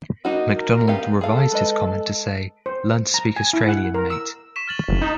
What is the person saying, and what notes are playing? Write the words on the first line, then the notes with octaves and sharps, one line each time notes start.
Macdonald revised his comment to say "learn to speak Australian, mate".
A#3 D#4 F#4 D#5
A#4
B3 G4 F5
G#4 A4 F5
G#3 B4 D#5
C5
A#5
G#5
E4
F#5
A#4
E6
C#6 B6 E7
F6 A6 F#7
F#1
D#4